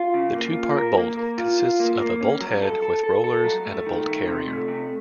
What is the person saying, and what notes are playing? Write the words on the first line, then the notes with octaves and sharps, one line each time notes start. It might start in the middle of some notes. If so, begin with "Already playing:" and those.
The two-part bolt consists of a bolt head with rollers and a bolt carrier.
Already playing: F4
C#3
A#3
F4
A#4
A#3
A#4
F4
F4
A#3
A#3
C#4
F#3
A4
A4
A4
A4
F#3
A3
D#3
A3
C3
A3
C3